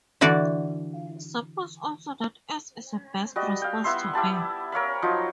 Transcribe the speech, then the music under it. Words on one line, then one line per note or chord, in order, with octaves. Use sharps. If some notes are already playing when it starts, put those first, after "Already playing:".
Suppose also that S is a best response to B.
D3 E3 F#4 D5
G3 F#4 D#5
F5 G5
B3 E4 E5 C6
E4 G4 A5 B5
A#4 C#5 F5 B5
F3 F#3 D#4 F4